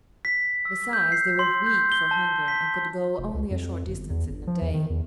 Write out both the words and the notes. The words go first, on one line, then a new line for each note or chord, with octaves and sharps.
Besides, they were weak from hunger and could go only a short distance in a day.
B6
E6
G6
C7
C6
G6
G7
A5
B6
F1
C#2
F2
G1
E2
G1
F3
E2
D#3
E2